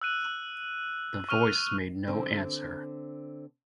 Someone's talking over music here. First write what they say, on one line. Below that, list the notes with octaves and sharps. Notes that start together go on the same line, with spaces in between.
The Voice made no answer.
E6 F#6 D#7
C#6 F6 D#7 F7
D3 C4